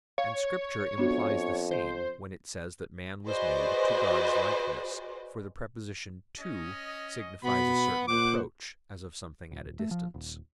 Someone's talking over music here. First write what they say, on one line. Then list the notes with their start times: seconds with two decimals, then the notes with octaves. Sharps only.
And Scripture implies the same when it says that man was made "to" God's likeness; for the preposition "to" signifies a certain approach, as of something at a distance.
0.18 C#5 F5
0.98 F2 B3 D4 F#4
1.71 C5
3.28 F#4 G#4 B4 C5 D5 D#5
6.39 C#4 D#5
7.43 B2 B3 B5
8.08 A#2 C5 F#5 D6
9.51 D#1
9.79 A3
9.91 F3
10.14 D#1